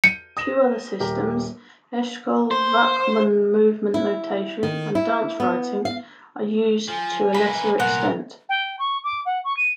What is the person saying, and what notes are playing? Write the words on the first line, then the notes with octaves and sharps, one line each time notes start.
Two other systems, Eshkol-Wachman Movement Notation and DanceWriting, are used to a lesser extent.
G6 C#7 D#7
D#6 A#6 E7
D#1 G4 A#4
C5
E4
D#3
E4
B3
F5
F3 G#5
A#3 B4 B5
C2 A#2 A#4 F#5
G5
C#6
D6
F#5
C#6
D#7